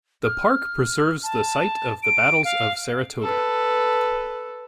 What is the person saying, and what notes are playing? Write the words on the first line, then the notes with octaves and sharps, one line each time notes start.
The park preserves the site of the Battles of Saratoga.
F6
A5
D7
F5
A4 B4